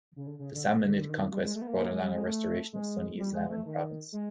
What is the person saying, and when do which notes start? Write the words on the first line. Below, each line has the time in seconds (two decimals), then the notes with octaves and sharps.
The Samanid conquest brought along a restoration of Sunni Islam in the province.
0.16 C#3
0.27 D3
0.39 C#3
0.54 D3
0.85 D3
0.93 D#3
1.01 D3
1.09 D#3
1.32 G3
1.44 G#3
1.55 A3
1.62 B3
1.67 A#3
1.79 A#3
1.91 G#3
2.02 G3
2.14 G#3
2.25 A3
2.73 G#3
3.19 G3
3.34 G#3
3.50 A3
3.66 D#3
4.12 G#3